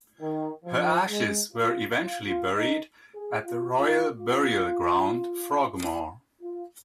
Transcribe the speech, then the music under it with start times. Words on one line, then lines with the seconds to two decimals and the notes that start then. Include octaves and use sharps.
Her ashes were eventually buried at the Royal Burial Ground, Frogmore.
0.20 D#3
0.64 F3
1.08 G#3
1.52 F4
1.97 F4
2.27 F4
2.57 D#4
3.15 G#4
3.45 F4
3.75 F4
4.19 F4
6.42 F4